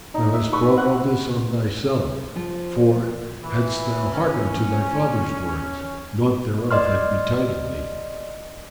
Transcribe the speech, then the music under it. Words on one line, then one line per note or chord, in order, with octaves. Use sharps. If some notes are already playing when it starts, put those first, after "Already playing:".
Thou hast brought all this on thyself; for, hadst thou hearkened to thy father's words, naught thereof had betided thee.
D#4
E5
B4 C#6
F#5
F3
E3
C#4
D5 D#5 C6 F6